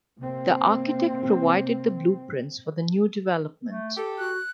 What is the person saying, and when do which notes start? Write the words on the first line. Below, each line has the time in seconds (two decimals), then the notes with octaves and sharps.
The architect provided the blueprints for the new development.
0.20 C3 A#3 C4
3.63 A3
3.97 G4 A4
4.18 F#4 F#6